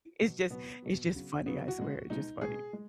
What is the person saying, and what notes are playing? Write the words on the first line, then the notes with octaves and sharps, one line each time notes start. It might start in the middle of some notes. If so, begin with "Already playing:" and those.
It's just it's just funny, I swear. It's just funny.
B2 F#3
B2 F#3 B3
B2 F#3
C#3 F#3
C#3 F#3 B3
F#4
B2 G#3
B2 G#3 D#4
B2 G#3 G#4
G#3